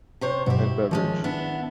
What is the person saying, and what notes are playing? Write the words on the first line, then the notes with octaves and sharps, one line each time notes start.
and beverage.
C3 C5 C#5
G2 B2 F#3 E4 G4
D#3 F3 G#3 C#4
B3 D4 E4